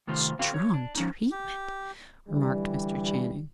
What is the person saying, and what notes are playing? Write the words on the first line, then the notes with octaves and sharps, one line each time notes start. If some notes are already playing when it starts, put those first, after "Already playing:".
"Strong treatment!" remarked Mr. Channing.
C3 D#3 A3 F4 C5
D3 C4 F#4 F5
C#5
D4
F3 C#4 D#4
G4
D3 E3 G3